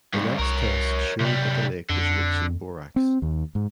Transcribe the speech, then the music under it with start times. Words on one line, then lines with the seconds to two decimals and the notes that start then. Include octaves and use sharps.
The next test showed that the lake was rich in borax.
0.13 C2 G2
0.39 C2 A#4 C#5
1.20 F#2 C3 G3
1.89 F2 D3
2.96 C4
3.22 D#2
3.55 G#2